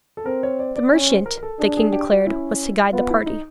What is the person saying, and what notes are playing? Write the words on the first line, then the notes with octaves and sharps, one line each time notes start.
The merchant, the king declared, was to guide the party.
A4
C4 A#4
C#5
D5
D5
D5
C#4 C#5
C5
A#4
A#4
A4
D4 G#4
G#4
G4
F#4
C#4 E4
B3 F4
E4
D#4